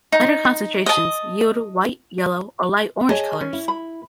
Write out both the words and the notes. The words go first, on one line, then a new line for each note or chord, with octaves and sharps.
Lighter concentrations yield white, yellow, or light orange colors.
D#4
D#5 A5
G#4 C#5 D#5 A5
C#4
E4
B5